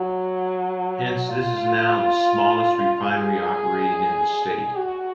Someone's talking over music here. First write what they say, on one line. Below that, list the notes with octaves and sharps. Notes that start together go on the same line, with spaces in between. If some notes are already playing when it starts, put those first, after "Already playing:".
Hence, this is now the smallest refinery operating in the state.
Already playing: F#3
F4
G#4
F#4